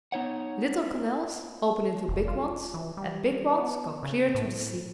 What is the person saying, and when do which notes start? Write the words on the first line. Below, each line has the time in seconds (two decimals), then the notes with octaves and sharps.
Little canals open into big ones, and big ones go clear to the sea.
0.12 B3 D#4 C#5 F#5
2.08 F1
2.28 F4
2.74 E3
2.97 G3
3.58 B3
4.03 C#3
4.34 A2